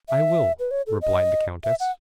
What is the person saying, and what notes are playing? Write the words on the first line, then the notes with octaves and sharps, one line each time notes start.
"I will," replied the countess.
E5
B4
C#5
A4
D#5
E5
F#5